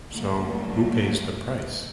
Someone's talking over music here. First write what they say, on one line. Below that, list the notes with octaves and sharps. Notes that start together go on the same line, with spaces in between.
So who pays the price?
A2 D3 F#3 G3 A3 A#3